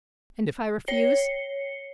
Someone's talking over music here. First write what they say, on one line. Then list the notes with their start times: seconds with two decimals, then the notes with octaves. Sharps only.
"And if I refuse?"
0.88 C#5 C7 C#7 G7